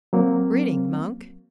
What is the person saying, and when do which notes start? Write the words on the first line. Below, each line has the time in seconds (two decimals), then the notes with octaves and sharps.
'Greeting, monk.
0.13 F#3 A#3 C4